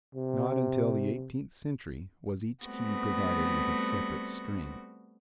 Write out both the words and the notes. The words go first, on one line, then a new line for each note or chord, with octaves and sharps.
Not until the eighteenth century was each key provided with a separate string.
C3
G3 A3 B3 C4 F#4